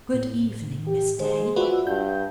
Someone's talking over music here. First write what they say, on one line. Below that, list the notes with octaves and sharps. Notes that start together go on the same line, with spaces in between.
"Good-evening, Miss Day."
A2
G4
G#3 C5
F4 F#4 B4 D5 E5 F#5
G2 G6